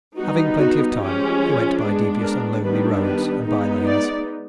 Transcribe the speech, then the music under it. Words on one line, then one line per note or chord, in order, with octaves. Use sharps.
Having plenty of time he went by devious and lonely roads and by-lanes.
G3 B3 D#4 F#4
F#4
F3 G#3 C#4 G4
G#3 B3 D4 G#4
A#4
D#3 G3 B3 D4 B4
B4
G#3 B3 D#4
D5